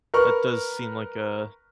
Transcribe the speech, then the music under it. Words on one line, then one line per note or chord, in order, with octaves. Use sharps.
that does seem like a
A#4 B4 C#6 F6